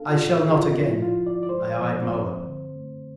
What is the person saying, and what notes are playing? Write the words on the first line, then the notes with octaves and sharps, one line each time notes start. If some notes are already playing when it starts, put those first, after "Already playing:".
"I shall not again." I eyed Moa.
Already playing: B3 D4 A4 F5
F4
A2
E4
G#4
F3 F4
E4
F3
F4
F3
D5
D5
G#3 C5
F3
C4
D3
A3